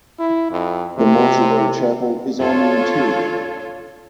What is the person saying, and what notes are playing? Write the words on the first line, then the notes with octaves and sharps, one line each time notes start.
The mortuary chapel is on the interior.
E4
F2
C3
D4 F4 A4 C#5